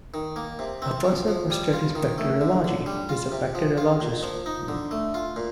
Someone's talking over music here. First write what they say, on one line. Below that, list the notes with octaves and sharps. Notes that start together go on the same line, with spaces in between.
A person who studies bacteriology is a bacteriologist.
D#3
A#3
C3
C4
F3
F3
G3
F4
D#3
A3
D3
D3
G3
F4
C3
F3
F4
A#2
F3
D#4
D3
A3
F4
A#2